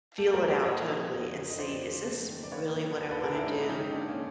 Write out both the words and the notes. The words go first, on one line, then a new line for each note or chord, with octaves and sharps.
f feel it out totally and see, is this really what I wanna do
A#3 G4 A4
A#4 C5
D#3
C5 D5
A#2 C#5 D#5
F3
F2
D3
D#5
F2 C5 D5
C#3
A3
D#3
D5
A#3 B4 C#5
D#3
D2
A4 B4
D3 G#4 A#4
D4 E4
G#2 C#4 D#4
D#3 C#4 D#4
A#3 D4
C#4